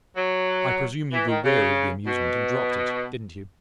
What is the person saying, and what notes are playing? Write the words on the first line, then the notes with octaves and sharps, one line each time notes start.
I presume you grew weary of the amusement and dropped it, didn't you?
F#3
E3
D#3
C#3
B2